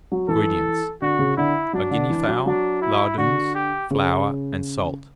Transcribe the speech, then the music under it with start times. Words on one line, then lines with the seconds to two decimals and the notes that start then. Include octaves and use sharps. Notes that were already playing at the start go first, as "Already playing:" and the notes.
INGREDIENTS.--A Guinea-fowl, lardoons, flour, and salt.
0.12 F#3
0.28 E3 A4
1.02 D3 F#4
1.19 C#3
1.37 D3 E4
1.73 F#3 D4
1.91 D3
2.10 E3
2.27 F#3
2.46 F#3 D4
2.81 E4
3.18 D3 F#4
3.55 G4
3.91 C#3